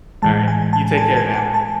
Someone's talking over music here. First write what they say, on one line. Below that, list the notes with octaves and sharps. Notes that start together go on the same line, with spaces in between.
Alright. You take care now.
A2 E3 G#3 A5
G#5
A5
G#5
G#5
G#5
A5